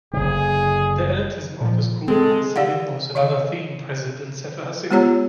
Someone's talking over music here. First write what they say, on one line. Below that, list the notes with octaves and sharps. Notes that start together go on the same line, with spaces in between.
The elitism of this group of Hasidim was another theme present in Sefer Hasidim.
F#1 D3 G#4
A#2 F3
G#3 C4 A4
G4 D5 F5 F#5
D#3 C#5 D#5 F5
G#3 B3 F4 G4 C#5 A#5